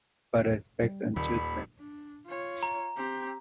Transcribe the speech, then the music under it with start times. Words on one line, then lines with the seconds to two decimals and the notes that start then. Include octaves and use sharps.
But I expect a judgment.
0.83 G3
1.16 D#1 D#2 B5
1.79 D4
2.26 F4 C#5
2.63 A#5
2.96 C4 G4